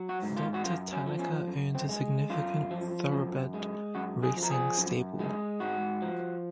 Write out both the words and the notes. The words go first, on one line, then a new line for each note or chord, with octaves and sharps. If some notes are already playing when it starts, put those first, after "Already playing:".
Doctor Tanaka owns a significant thoroughbred racing stable.
Already playing: F#3
F#4
G#2
F4
F#4
F#2 F4
C#4
F3
C#4
F#2
C4
G#3
F#2 F4
F3
F#2
G#3
F#2 F#4
G#4
F3
A#4
G#4
F#2
G#3
G#2 F#4
F3